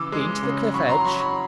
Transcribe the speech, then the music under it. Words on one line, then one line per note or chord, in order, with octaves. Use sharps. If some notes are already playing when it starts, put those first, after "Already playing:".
"Been to the cliff edge?"
Already playing: C#3 E3 D6 E6
G#3
C#3
F#3 B5 C#6
A#5 C6
F#3 B5 C#6
B5 C#6